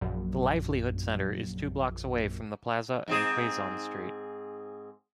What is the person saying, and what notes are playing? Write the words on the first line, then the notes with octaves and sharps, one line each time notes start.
The Livelihood Center is two blocks away from the Plaza and Quezon Street.
A#1 F#2
G#2 C4 G#4